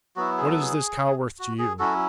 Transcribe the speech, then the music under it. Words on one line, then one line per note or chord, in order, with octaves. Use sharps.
"What is this cow worth to you?"
F#3 B3 E4 F#4
G#4
A4
G#4
F#4
G#4
F#3 C#4 E4 F#4 A4